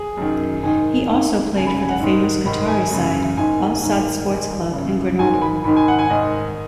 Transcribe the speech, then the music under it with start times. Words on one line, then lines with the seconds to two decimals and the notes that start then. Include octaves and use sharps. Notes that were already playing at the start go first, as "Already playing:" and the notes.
He also played for the famous Qatari side, Al-Sadd Sports Club and Grenoble.
Already playing: G#4
0.17 F#2 D#3
0.63 G#2 D#3 G#5
1.08 G#2 D#3
1.55 F#2 C#3 G#5
1.66 B5
1.77 G#5
1.89 F#5
2.00 G#2 D#3
2.45 G#2 D#3 B5
2.68 G#5
2.91 F#2 C#3
3.37 G#2 D#3 G#5
3.82 G#2 D#3
4.28 G#2 D#3 G#5
4.73 F#2 C#3
5.19 G#2 D#3 G#5
5.42 B5
5.64 G#2 D#3 B5
5.76 G#5
5.88 F#5
5.99 G#5
6.10 G#2 D#3 D#5